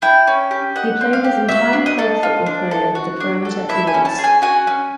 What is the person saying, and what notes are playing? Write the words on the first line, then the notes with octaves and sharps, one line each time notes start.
He played his entire club football career with the Parramatta Eels.
E4 G5
C#4
G4
D#4 F#5
C4
F5
G4
F#4 E5
D4
D#5
A4
F4
D4
A4
F#4
D4
A4
E4 E5
G#5
C#4
A5
G#4
G#5
F#4 G#5
C#4